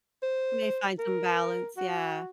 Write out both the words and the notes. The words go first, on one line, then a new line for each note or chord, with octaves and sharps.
We may find some balance, yeah.
C5
A#4
F#4